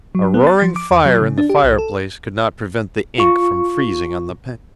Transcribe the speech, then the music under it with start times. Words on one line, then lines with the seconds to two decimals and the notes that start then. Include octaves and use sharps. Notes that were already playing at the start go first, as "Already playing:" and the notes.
A roaring fire in the fireplace could not prevent the ink from freezing on the pen.
0.15 F#3
0.34 B3
0.47 A6
0.62 F3
0.76 D6
0.91 E2
1.05 F#3
1.20 C#3
1.38 D4
1.50 G4
1.64 B1
1.78 A4
3.18 F4 C#6